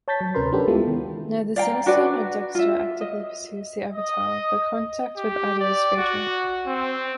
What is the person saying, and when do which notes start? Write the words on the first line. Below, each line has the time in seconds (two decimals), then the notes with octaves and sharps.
Neither Sinister nor Dexter actively pursues the avatar, but contact with either is fatal.
0.08 C#5 A5 G6 A6 B6
0.21 F#3
0.35 D2 C3 C#4 A#4 B4 C6
0.52 C#4 D4 F#4 G4 A4 B4
0.68 G#3 B3 E4 F4 A4
0.87 D#3
1.56 D5 F5 G5 A#5
1.86 D4 F#4 B4 D5
2.55 F4 E5
3.01 D#5
3.92 D#5
5.17 G4
5.60 D5
5.97 F#4
6.67 C4